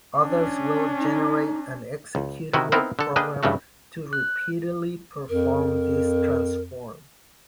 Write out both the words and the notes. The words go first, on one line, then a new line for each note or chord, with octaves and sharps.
Others will generate an executable program to repeatedly perform this transform.
C#4 D4
D#4
C#2
C3 D#3 E4 F#4 D#5
B3 C4 D#4 E4 A#4 C5
D3 A4
A#3 D4 G#4 B4 D#5 G5
G2 C#3 E3 A3 F#4
F#6
F2 A#4